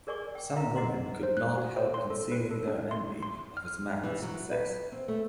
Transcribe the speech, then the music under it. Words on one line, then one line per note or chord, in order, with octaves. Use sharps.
Some women could not help concealing their envy of his marriage success.
G#4 A#4 D5 G#5 C#6 D6
G5
A#4 E5 F5 A#5 B5
G#4 D#5 F#5 A#5 C6
C5
F#6
F#4
C5
C6
A4
B4
A4
D4
C6
C6
F6
E3
F#3
B4
C4
A3